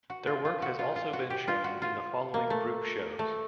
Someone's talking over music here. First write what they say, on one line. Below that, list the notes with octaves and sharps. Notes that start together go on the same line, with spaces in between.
Their work has also been shown in the following group shows.
F#4
F4
F4
F#4
F4
F4
F#4
G4
F4
F#4
F4
A#3
A3
A3